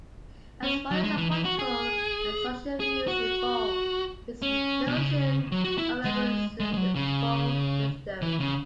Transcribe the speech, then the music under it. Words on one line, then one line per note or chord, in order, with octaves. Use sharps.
As Warren's political and social views evolved, his notion of Agrarianism evolved with them.
C#4
F#3
G#3
E3
E3
F#4
G#4
G#4
F#4
C#4
B2
C#3
F#3
F#4
E4
G#3
G#3
G#3
F#3
C#3
E3
C#3